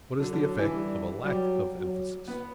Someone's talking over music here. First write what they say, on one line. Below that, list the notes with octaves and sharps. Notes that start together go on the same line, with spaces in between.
What is the effect of a lack of emphasis?
D3 F#3
D3
E3
G3
F#3 G3
F#3
B3